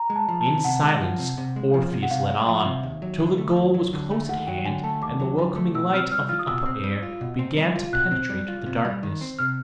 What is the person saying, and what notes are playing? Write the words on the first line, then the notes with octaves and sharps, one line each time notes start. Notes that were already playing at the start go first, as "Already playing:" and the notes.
In silence Orpheus led on, till the goal was close at hand and the welcoming light of the upper air began to penetrate the darkness.
Already playing: A#5
G#3
A5
F3
A5
C3
C3 F#5
G#3
F3
C3
C3
G#3
F3
C3
F#5
C3 F5
G#3
F3 E5
C3
D#2
F#3
D3
A3
D#2
F#3
D3
A3
D#2 F#5
F#3 G5
D3 G#5
A3 A5
D#2 D6
F#3
D3
A3
B2 E6
C4 F6
G3 F6
F4 F6
D#6
B2 E6
C4
G3
F4
B2
C4
G3
F4
B2 F#6
C4
G3
F4
C3
G3
D#3
C4
C3 F6